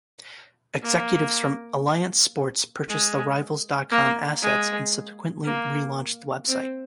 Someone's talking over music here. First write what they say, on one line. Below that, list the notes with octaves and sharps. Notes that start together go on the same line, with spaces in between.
Executives from AllianceSports purchased the Rivals dot com assets and subsequently relaunched the website.
A#3
G#3
A#3
G#3
A#3
C4